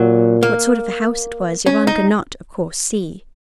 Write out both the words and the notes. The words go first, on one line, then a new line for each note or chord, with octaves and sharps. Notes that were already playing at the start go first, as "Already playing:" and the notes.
What sort of a house it was Yvonne could not, of course, see.
Already playing: A#2 F#3
A#3
C#4
D#4